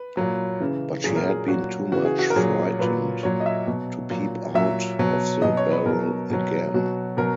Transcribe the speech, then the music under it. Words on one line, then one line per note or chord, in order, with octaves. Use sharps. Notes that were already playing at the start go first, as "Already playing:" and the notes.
But she had been too much frightened to peep out of the barrel again.
Already playing: B4
A#2 F#3
C#3 E3
A#2 F#3 G#4
A#4
G#4
A#2 F#3 F#4
C#3 E3 F#4
G#4
F#4
A#4
A#2 F#3 G#4
A#2 F#3 B4
A#2 F#3 C#5
D#5
E5
B2 F#3
A#2 F#3
A#2 F#3 E5
B2 F#3
B2 F#3 D#5
C#5
B4
B2 F#3 A#4
B2 F#3
B2 F#3 F#4
B2 F#3 A#4